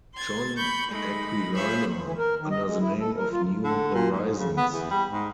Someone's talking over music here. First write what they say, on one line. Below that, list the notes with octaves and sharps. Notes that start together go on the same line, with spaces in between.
John Aquilina, under the name of New Horizons.
C6 G#6 A6
B5 C#6 G6
G#3 A3 D#4 B5
F4 G#4 C5 C#5 E5 B5
E3
A#4
D#3
D#5
G#3
E4
A4
A#4
F4
D3
A#2
G#2
C#3
B3
E2
G3
G#2